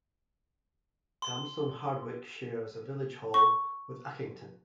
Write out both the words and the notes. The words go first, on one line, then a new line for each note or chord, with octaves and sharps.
Elmstone Hardwicke shares a village hall with Uckington.
C6
C#6